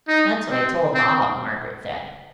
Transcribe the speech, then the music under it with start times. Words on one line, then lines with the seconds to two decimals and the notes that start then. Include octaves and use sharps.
"That's what I told Bob," Margaret said.
0.08 D#4
0.51 C4
0.95 C4